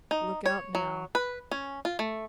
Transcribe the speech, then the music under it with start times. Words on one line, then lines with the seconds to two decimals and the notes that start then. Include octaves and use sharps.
Look out now.
0.11 D#4
0.46 C#5
0.75 F#3
1.15 B4
1.51 C#4
1.85 F4
1.99 A3